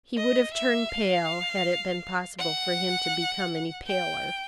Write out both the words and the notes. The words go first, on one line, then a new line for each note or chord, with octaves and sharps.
He would have turned pale, had it been possible for him to become any paler.
D#5
E5
F5
F#5
G5